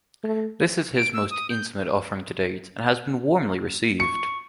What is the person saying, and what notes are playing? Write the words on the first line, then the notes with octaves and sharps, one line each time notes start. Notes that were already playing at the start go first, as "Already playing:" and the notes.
This is his most intimate offering to date and has been warmly received.
A3
D7
E6
D#6
G6
C#6 C#7